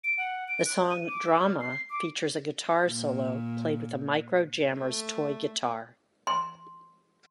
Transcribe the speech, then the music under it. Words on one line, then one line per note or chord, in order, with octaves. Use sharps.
The song "Drama" features a guitar solo played with a Micro Jammers' toy guitar.
D7
F#5
D7
F#6
D#7
D6
E6
F6
C7
D6
A#2
A3
C6